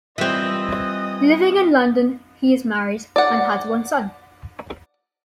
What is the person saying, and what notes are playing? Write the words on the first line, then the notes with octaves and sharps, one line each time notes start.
Living in London, he is married and has one son.
E3 G3 C4 F4 D#5 D#6
D5 F#5